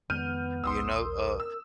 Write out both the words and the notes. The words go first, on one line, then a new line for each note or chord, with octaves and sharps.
you know, uh,
F2 D#3 G#3 B3 F6 G6 D#7
A#1 D#2 C6 D#6 E6
A#4
E6